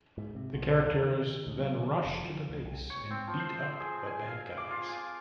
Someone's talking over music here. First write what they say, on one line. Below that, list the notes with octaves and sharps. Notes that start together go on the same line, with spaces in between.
The characters then rush to the base and beat up the bad guys.
G#2
C3
B1
D#2
D#3
D2
F#3
D#3
F1
F3
D2
C2
C#5
C4
F3
C5
G#4
G#5
F5
D6
F4
G#5